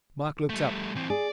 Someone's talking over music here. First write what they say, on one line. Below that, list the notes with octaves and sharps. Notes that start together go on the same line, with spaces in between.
Mike looked up.
G3 A3
E3 C4
G#4 D5